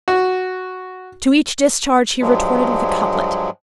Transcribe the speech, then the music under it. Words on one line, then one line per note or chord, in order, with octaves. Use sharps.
To each discharge he retorted with a couplet.
F#4
G2 F3 F#3 G#3